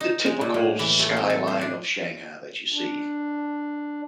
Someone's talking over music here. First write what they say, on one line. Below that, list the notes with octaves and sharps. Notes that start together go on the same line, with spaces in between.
the typical skyline of Shanghai that you see.
D#4
G#3
A#2
A2
E3
A3
C4
A4
C5
D4
D4